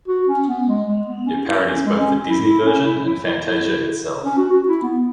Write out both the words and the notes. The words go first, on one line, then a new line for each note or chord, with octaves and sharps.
It parodies both the Disney version, and "Fantasia" itself.
F#4
C#4
B3
G#3
G#3
B3
C#4
E4
C#4
G#3
C#4
E4
E4
C#4
E4
E4
E4
E4
C#4
F#4
F#4
E4
B3